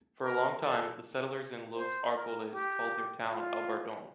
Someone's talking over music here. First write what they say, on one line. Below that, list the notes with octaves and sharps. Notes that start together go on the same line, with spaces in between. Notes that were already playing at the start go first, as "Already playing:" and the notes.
For a long time, the settlers in Los Árboles called their town Albardón.
A#4
A4
C5
A#4
G4
F4